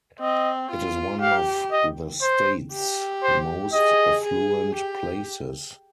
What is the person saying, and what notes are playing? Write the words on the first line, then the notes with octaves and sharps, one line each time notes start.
It is one of the state's most affluent places.
C4 D#5
F4
G4 F5
D#5
C5
G4
C5
G#4 D#5
G#4
G4